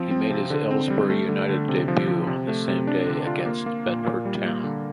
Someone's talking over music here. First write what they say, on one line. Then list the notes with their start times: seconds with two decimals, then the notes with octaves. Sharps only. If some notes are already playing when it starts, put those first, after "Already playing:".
He made his Aylesbury United debut on the same day against Bedford Town.
Already playing: F3 C4
0.11 C4
0.30 C3
0.50 D3
0.71 C4
0.90 G3
1.10 A3
1.29 D3
1.49 D3
1.68 C3
1.88 F3
2.08 F3
2.27 C3
2.48 A3
2.68 C3
2.87 D4
3.07 D3
3.27 F4
3.46 A#3
3.66 A#3
3.86 A#2
4.04 A#2
4.25 G3
4.45 A#3
4.64 D3